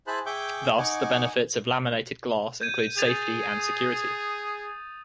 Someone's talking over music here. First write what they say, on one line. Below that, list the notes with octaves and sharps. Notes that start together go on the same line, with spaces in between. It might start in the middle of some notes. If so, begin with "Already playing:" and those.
Thus, the benefits of laminated glass include safety and security.
E4 G#4 C5 A5 B5 F#6
G#4 E5 G5 C#6 D6 G6
D#4 F#5 G#5 C#6 D6
G6 G#6 D#7
G#4 A6 D#7 F7
D#6